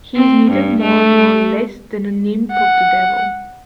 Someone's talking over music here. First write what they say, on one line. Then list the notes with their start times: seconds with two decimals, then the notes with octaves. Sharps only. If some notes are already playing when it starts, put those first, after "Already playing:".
He is neither more nor less than an imp of the devil.
0.16 C4
0.51 G2
0.82 A3
2.52 F#5